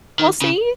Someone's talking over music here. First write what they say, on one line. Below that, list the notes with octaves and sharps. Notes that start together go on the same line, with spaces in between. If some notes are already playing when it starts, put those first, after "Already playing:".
Well, see?
D#3
C#3